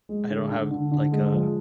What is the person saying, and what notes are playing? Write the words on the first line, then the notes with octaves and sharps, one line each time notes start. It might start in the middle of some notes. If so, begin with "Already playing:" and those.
I don't have like, uh
G#3
D3
D3
D3
D3
G#3
F3